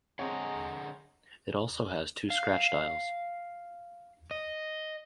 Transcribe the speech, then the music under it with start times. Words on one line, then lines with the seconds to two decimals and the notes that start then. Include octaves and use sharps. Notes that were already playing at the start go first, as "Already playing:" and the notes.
It also has two scratch dials.
0.19 D3 G#3 C4 G#4 C#5 F#5 A#5
2.30 F5
4.31 D#5